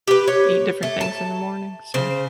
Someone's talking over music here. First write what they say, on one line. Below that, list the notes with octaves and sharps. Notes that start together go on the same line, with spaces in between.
eat different things in the morning. So.
G4 B4
C#5
A3
A5
C#3 C5